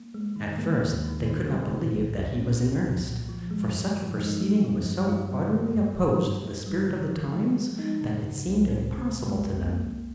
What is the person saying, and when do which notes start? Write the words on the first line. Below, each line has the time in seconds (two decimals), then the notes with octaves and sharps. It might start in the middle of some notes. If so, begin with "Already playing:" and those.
At first they could not believe that he was in earnest, for such a proceeding was so utterly opposed to the spirit of the times that it seemed impossible to them.
Already playing: A#3
0.14 G#3
0.36 D#3
0.59 G#3 A#3
0.81 D#2
1.04 D#3
1.26 D#3
1.48 G3 C4
1.71 A#2
1.95 C2
2.17 C2
2.38 C2 C#4
2.61 C2
2.84 C2
3.06 A#2
3.29 F3
3.51 G#3
3.74 G2
3.96 F3
4.18 G#3 D#4
4.41 G#3
4.64 F3
4.86 G2
5.08 G2 F4
5.31 G3
5.54 G3
5.75 G2
5.98 G2
6.21 G3
6.44 G2
6.66 G3
6.88 C#3
7.11 F3
7.33 G#3
7.55 F3
7.78 G#3 D#4
8.01 C#3
8.23 C#3
8.46 C#2
8.69 C3 C4
8.90 C3
8.98 C4
9.13 C3
9.28 G#3
9.36 C2
9.58 C2 A#3
9.80 C2